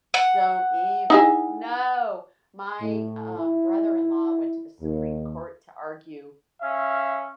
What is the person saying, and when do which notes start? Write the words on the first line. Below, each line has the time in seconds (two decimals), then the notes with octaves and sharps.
don't even. No! My um, brother-in-law went to the Supreme Court to argue
0.14 F#5
1.10 D#4 E4 G#4
2.81 A2
3.39 E4
4.81 D#2
6.62 C#4 E5 F5